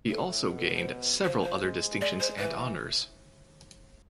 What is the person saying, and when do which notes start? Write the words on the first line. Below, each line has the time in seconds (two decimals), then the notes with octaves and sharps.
He also gained several other distinctions and honours.
0.09 A2 A4
0.47 B2 G#4
0.57 A4
0.66 B4
0.76 C5
1.24 F3 C5
1.44 C5
1.62 G#3
2.01 G#3 D5
2.20 C5
2.38 E3 B4